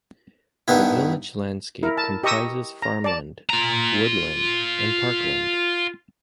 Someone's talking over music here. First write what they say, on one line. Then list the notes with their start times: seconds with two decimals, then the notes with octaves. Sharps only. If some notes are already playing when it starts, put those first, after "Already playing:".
The village landscape comprises farmland, woodland and parkland.
0.68 G2 D#3 B3 E4
1.83 E4 A#4
1.97 A5
2.23 G4 D#5 A#5 C#6 D#6 E6
2.82 A#5
3.04 D5 A5
3.50 F4 A#5